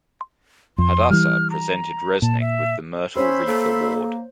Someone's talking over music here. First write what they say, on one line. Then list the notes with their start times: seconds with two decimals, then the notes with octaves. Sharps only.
Hadassah presented Resnick with the Myrtle Wreath Award.
0.78 F2 C6
1.10 E3 G3 F6
1.50 A#5
2.22 A#2 A5
2.41 E5
3.16 C#4 G4 C5 C#5 E5 B5 C6
3.47 A#3 A4